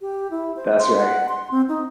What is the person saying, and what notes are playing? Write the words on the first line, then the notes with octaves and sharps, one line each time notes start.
That's right.
G4
E4
C5
C6
F#5
C6
C4
D#4